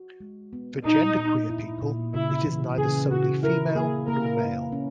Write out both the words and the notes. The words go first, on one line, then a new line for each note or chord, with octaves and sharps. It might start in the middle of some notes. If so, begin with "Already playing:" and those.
For genderqueer people, it is neither solely female nor male.
Already playing: F#4
G#3
B3
A#2 D#4
A#2
E4
A#2
C#3 E4
E3
C#3 G#4
C#3 F#4
E4 A#4
A#3 G#4
A#3 A#4
B4
C#4